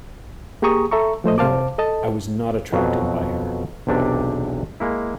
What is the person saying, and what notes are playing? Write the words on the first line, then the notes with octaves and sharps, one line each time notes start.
No; I was not attracted by her.
A#3 G4 G#4 A#5 C#6 D#6
A4 E5 A#5 C#6
F3 A3 C5 D#5
C3 C5 F5 A5 D6
A4 D#5 A5
F2 B2 F#3
B1 E2 C3 D4 G4 D5
G#3 A#3 E4